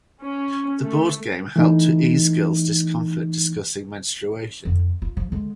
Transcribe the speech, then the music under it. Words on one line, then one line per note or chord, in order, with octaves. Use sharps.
The board game helped to ease girls’ discomfort discussing menstruation.
C#4
A3
E3 A3 D#4
F2 D3
F4
F3
D3 G#3